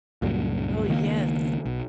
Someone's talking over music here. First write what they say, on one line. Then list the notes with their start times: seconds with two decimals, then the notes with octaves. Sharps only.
Oh, yes.
0.22 C#2 G2 A#2 F#3
0.89 C#2 D#3 A#3
1.65 B1